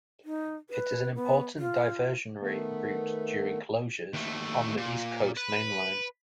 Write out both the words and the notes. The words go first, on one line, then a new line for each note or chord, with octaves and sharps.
It is an important diversionary route during closures on the East Coast Main Line.
D#4
B4
B3
F4
D#3 A3 B3
D#2 A3
A#2
B4